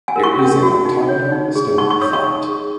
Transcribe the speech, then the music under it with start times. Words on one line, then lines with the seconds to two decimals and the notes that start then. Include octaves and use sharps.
There is an octagonal stone font.
0.08 G#5
0.16 A#4
0.23 C#6
0.39 C#4
0.63 F#4
0.85 D#4
1.09 C#5
1.32 D#4
1.56 G#4
1.78 D#4 C#6
1.90 C#6
2.02 C#5 D#6
2.13 C#6
2.25 D#4
2.48 G#4